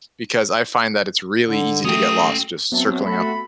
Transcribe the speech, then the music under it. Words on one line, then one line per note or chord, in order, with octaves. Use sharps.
because I find that it's really easy to get lost just circling up
D3
F#3 A3 C#4 G5 D#6
F#3 B3 C4 E5 A5
A3 C4 F#4 A4 B5